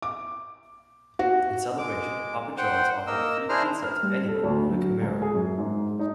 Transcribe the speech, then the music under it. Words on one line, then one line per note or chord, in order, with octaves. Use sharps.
In celebration, Papa John's offered a free pizza to anyone who owned a Camaro.
D6
F#4
G#3 D6
C5 F#5 G5
A#3 A#4 D#5 E6
D4 E4 G#4 C5 A#5 F6
F6
G3
A4
D2
F#3
C#2
G#4
F#2
G#2
D#4